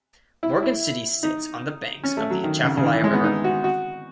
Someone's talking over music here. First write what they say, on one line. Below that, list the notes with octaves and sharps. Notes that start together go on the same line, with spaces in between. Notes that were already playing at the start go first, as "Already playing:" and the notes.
Morgan City sits on the banks of the Atchafalaya River.
E4
E4
D#4
C#4
A3
F#3
D#3
C#3
C#3
D#3
E3
G#3
B3
D#4
F#4
F#4